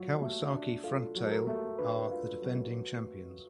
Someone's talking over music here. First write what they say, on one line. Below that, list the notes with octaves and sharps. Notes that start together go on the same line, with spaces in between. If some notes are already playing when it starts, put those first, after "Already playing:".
Kawasaki Frontale are the defending champions.
Already playing: F#3 F4
A3
D4
F4 A4
F#3
A4
A#4
A3
D4 B4
F4
F#3